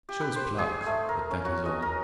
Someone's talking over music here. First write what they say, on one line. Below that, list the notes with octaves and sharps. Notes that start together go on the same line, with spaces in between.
It shows pluck, but that is all.
G4
B4
C5
G#4
A3
A#4
C#4
F#4
D#5
A#4